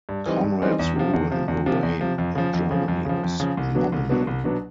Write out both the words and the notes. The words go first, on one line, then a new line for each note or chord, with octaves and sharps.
Conrad's rule in Lorraine and Germany was nominal.
G2
E3 G3 C4 D#4
G2
E3 G3 C4 D#4
E2
C3 F3
E2
C3 F3
E2
C3 F3
E2
C3 F3
F2
C#3 F3
F2
C#3 F3
F2
C#3 F3
F2
C#3 F3
C2
B2 F#3 B3 D4
C2
B2 F#3 B3 D4
C2
B2 F#3 B3 D4